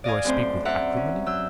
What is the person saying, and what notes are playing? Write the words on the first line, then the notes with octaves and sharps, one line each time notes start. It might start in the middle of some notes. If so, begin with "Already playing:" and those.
Do I speak with acrimony?
D5 D#5 F5 G#5
F#2 A2 C4 C5
C5 D5 E5 F#5 A#5
C#4
F#3 E6 G6